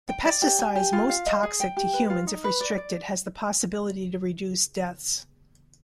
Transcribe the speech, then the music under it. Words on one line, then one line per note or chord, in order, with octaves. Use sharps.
The pesticides most toxic to humans if restricted has the possibility to reduce deaths.
G5
D5
G4
G#5
G4
F4
F5
D#5
G#4
G5
G4
B4
F4
D#4
B4
D5
D5